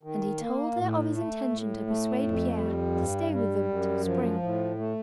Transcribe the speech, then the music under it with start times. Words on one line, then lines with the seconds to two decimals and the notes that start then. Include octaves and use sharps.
And he told her of his intention to persuade Pierre to stay with them till spring.
0.03 D#3
0.41 A#3
0.77 A2
1.13 A3
1.50 A2
1.87 A3
2.23 F2
2.59 G3
2.95 G2
3.32 G3
3.69 F#2
4.06 F3
4.43 A2
4.79 A3